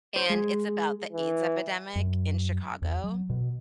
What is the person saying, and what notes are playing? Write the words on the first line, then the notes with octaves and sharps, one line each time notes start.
and it's about the AIDS epidemic in Chicago.
C5
G#3
E3
F#2
E2
F#3
B2